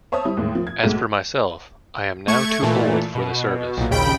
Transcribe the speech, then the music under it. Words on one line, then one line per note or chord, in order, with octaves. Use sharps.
As for myself, I am now too old for the service.
C5 C#5 E5 A5 D#6
G3 E4
D#2 A2 G#3
F3
G#6
B1 G#3 A3
A3 C#6 G#6
A#2 E3 A3
B2
B1 A#2
A#1 D#2 C#3 G5 B5 D7